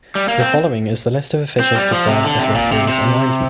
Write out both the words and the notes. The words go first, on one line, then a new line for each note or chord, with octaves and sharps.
The following is the list of officials to serve as referees and linesmen.
G3
A#3
C4
C4
G3
F3
C3
D3
C3
A#2
C3
C3